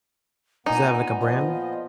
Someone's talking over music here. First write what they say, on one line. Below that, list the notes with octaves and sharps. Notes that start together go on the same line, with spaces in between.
is that, like, a brand?
A#2 B3 D#4 G#5
F3 D#5